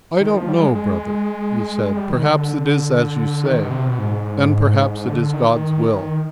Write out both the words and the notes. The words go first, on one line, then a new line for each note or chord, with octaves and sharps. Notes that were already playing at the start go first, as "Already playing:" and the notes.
"I don't know, brother," he said; "perhaps it is as you say, and perhaps it is God's will."
D#3
F3
G3
G#3
G#3
G#3
G3
D#3
D3
D#3
D3
B2
C3
B2
G#2
D3
D#3